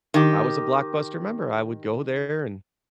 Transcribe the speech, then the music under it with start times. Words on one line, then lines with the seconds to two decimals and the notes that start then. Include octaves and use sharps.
I was a Blockbuster member, I would go there, and
0.14 D#3 G4